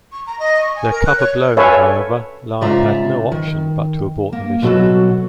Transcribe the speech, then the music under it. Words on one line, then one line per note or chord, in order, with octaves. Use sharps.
Their cover blown however, Lyon had no option but to abort the mission.
C#6
A#5
D#5
C#6
G#5
A#4
F#6
C#5
A4 B4 C#5 E5 F5 G#5
G#2 C#3 F4 D5 E5 A#5
D#3
A#3
B2 F#3 F#4 A4